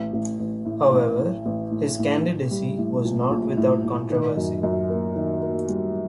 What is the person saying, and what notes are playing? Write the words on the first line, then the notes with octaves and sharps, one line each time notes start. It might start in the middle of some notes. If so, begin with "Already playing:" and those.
However, his candidacy was not without controversy.
Already playing: A1
A1
A1
A2
A1
A2
A1
A2
A2
A2
G3
A2
A#1
A#1
A2
A2
D#3
F#2
F#2
A#3
D#3
A#3
G3